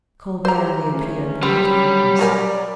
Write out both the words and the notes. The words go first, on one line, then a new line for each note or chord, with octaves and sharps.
Colbert reappeared beneath the curtains.
G4 C5 A#5
C#2 A3 C#4
F#3 G3 C4 B5
F#4 A#4 D5 G#5